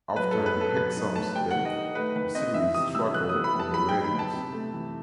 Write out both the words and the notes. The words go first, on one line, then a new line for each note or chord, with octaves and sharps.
After Hexum's death, the series struggled in the ratings.
F#3 B4
F#2 A4
B4
B3
A4
F#3 B4
D#4
A3 A5
G3 G5
D#3 F#5
D#5
D#4
A3 B4
D#3 B4
C4 D#5
E3 E5
C3 D#6
G3 E6
E3 F#6
B3 D#6
B5
G3
A5
F#3 B5
G5
D#4
B5
B3
A5
C3
A3
E3